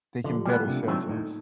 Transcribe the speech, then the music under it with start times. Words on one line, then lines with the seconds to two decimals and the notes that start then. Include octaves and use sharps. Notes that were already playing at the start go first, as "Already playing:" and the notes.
they can better sell to us.
0.24 D3 F3
0.35 G3
0.45 G3 A3 B3
0.57 A#3
0.67 C3 D4
0.88 D#3 F#3 A3 C4
1.09 A2 D#4